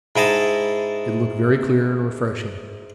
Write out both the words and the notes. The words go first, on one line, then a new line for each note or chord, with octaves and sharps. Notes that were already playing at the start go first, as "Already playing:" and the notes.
It looked very clear and refreshing.
G#2 E4 D#5 A5